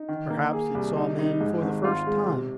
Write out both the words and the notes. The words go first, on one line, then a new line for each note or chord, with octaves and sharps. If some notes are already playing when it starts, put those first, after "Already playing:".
Perhaps it saw men for the first time.
Already playing: D#4
D#3
A#3
G#4
C2
D#4
D#4
G#2
G#1
F4
G#3
C3